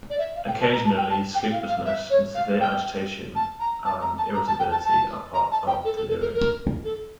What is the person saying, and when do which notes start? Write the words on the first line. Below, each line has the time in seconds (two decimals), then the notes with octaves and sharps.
Occasionally sleeplessness and severe agitation and irritability are part of delirium.
0.10 D5
0.18 E5
0.35 F5
0.47 G5
0.61 A5
0.72 A#5
0.85 A5
0.97 G5
1.10 A5
1.34 G5
1.52 F5
1.68 F5
1.85 E5
2.10 C#5
2.35 F5
2.60 G5
3.35 A5
3.60 A#5
3.85 A5
4.01 A#5
4.18 A5
4.34 A#5
4.47 A5
4.59 G5
4.71 A5
4.85 A5
5.34 A#5
5.51 A5
5.67 G5
5.85 A4
5.96 A4
6.09 A4
6.21 A#4
6.34 A#4
6.84 A4